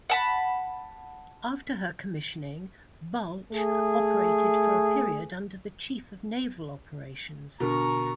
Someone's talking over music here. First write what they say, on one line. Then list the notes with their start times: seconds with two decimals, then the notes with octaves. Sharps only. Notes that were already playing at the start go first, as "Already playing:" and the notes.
After her commissioning, "Balch" operated for a period under the Chief of Naval Operations.
0.10 F#5 A5 B5
3.52 A3 G#4
7.60 B2 D3 A#4 A#5 C#6